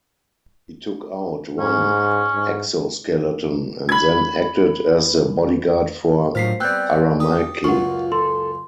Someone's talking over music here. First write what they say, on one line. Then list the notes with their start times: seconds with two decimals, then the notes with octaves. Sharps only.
He took out one exoskeleton and then acted as the bodyguard for Aramaki.
1.59 G#2 C#4
2.34 G#2
3.89 B5 G#6
6.35 A2 F#3 F4 A#4 C5 B6 C7
6.60 B3 C4 D5 G5 E6 F#6 G6
7.20 G4 D#6
7.64 C#2 F#2 A#3 F4 F#5 C#6
8.12 A4 C6